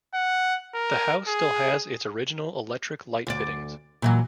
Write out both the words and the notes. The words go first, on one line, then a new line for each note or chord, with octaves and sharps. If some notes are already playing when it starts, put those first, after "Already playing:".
The house still has its original electric light fittings.
F#5
A#4
G#4
D2 D5
A#2 E3 F#3